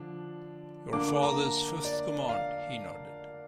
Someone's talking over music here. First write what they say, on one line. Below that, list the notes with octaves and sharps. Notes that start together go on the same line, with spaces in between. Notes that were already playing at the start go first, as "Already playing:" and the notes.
Your father's fifth command, he nodded.
Already playing: D3 F3 D4
D3 A#3 D4 D6
D6
A#5
D5
F5